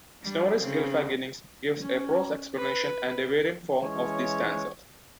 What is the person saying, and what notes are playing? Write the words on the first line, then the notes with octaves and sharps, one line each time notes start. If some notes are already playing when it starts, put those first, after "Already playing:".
Snorri's "Gylfaginning" gives a prose explanation and a variant form of these stanzas.
G3 D4
C#3 C4
C#4
B4 B5
E3 G#3 C#4 C#5